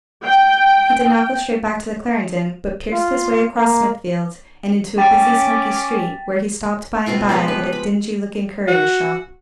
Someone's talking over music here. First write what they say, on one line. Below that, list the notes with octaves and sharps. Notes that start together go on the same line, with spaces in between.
He did not go straight back to the Clarendon, but pierced his way across Smithfield, and into a busy smoky street, where he stopped by-and-by at a dingy-looking currier's shop.
G5
F4
A#3
C#4 G5 D6 A6 B6
B2 C4 F4 C#6
F3 G#3 B3 G4
B4
B5
F#4